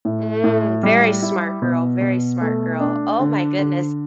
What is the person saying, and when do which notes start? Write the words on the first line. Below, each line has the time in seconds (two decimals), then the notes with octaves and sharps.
Mm, very smart girl, very smart girl, oh my goodness.
0.05 A2
0.44 A2
0.83 G3
1.22 E4
1.62 B2
2.01 B2
2.41 A3
2.80 D4
3.19 D3
3.59 D3